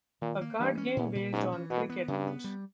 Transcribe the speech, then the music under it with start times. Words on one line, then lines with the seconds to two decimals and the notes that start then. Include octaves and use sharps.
A card game based on cricket.
0.21 A#2 D#3
0.41 A#3
0.59 G2 E3
0.78 C#4
0.96 E2 A#2
1.15 A#2
1.33 G#2 C#4
1.52 E3
1.70 B2 B3
1.90 B3
2.08 G2 C#3
2.27 B3
2.44 G3